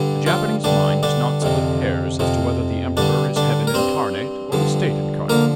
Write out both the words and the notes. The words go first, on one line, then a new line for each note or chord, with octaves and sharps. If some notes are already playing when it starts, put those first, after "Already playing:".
The Japanese mind does not split hairs as to whether the Emperor is Heaven incarnate or the State incarnate.
Already playing: G2 D3 G3
F3 F4
G2 D3 G3 D4
D3 D4
F2 C3 F3
F2 C3 F3
G2 D3 G3 D4
D3 D4
A#4
G2 G3 C4 C5
G2 D3 F3
D3 F3 A#3 A#4